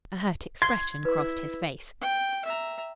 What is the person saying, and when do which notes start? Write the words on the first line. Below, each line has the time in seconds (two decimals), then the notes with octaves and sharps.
A hurt expression crossed his face.
0.62 C6 G#6
1.05 E4 B4
2.01 G5
2.45 E5 A#5